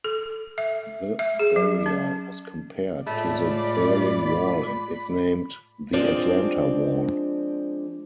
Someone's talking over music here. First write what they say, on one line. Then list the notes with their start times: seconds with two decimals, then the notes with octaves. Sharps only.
The barrier was compared to the Berlin wall and nicknamed the "Atlanta wall".
0.04 A4
0.58 E5
1.19 E5
1.40 G#4
1.56 F#3
1.86 C#4
3.07 A2 G#3 A3 F4 D5 B5
5.93 F3 G#3 C4 D4 D5